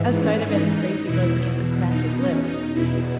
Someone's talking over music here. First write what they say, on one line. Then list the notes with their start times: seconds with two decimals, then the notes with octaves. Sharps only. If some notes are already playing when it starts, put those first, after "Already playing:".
At sight of it, the crazy boy began to smack his lips.
Already playing: G#2 E3
0.19 C#4
0.47 D#4
0.76 D#4
1.04 E2 B2 E4
1.88 D#4
2.17 C#4
2.45 D#4
2.73 E2 B2 E4